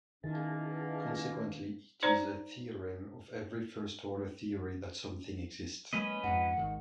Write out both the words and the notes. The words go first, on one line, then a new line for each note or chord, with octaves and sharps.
Consequently, it is a theorem of every first-order theory that something exists.
B2 D#3 A#3 C#4 E4 G#4 A5
D#4 C5 D5 A#5
F#3 G#3 A#3 C#4 B4 D#5
F2 G#2 F#5
G#1 G#2 D#3